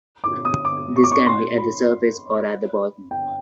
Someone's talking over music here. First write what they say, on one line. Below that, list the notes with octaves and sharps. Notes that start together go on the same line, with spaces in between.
This can be at the surface or at the bottom.
D6
D#6
D6
C#6
D6
C#6
C6
B5
G5